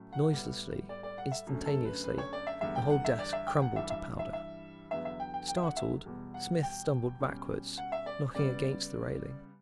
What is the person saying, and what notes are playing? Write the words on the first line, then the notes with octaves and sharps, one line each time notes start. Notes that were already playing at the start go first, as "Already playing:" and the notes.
Noiselessly, instantaneously, the whole desk crumbled to powder. Startled, Smith stumbled backwards, knocking against the railing.
Already playing: A2 F#3 A3 C#4
F#5
A2 G3 B3
D5
D5
F#5
E5
F#2 D3 A3 C#4
A4
B4
B4
C#5
D5
E5
E2 D3 G3 E5
G5
F#5
E5
D5
E5
G5
F#5
G2 E3 G3 E5
E5
E5
E5
E2 D3 F#3 B3 E5
E5
G5
G5
G5
E5
F#5
E5
E2 B2 G3
F#5
G5
B2 G3 C#4
F#5
E5
D5
C#3 G3 B3 D5